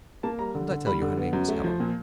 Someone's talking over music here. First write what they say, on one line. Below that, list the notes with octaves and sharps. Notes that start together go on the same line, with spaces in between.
Didn't I tell you her name was Helen?
A#3 A5
G3 A#5
D3
D3
G3 B5
D3
B3
F#2
A3
F3
A#2